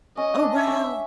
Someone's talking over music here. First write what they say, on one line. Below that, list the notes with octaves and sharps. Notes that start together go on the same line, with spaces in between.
Oh, wow.
C#4 D#5
D4
E5
C#4